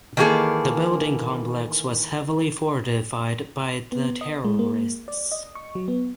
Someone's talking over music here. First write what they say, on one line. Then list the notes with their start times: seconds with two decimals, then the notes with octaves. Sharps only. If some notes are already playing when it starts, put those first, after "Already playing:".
The Building Complex was heavily fortified by the terrorists.
0.17 D#3 E3 A#3 F#4 G#4 A4
3.92 B3
4.21 D#5
4.44 G#3
4.59 A#3
5.08 D5
5.32 D#5
5.55 C#6
5.75 F#3
5.88 B3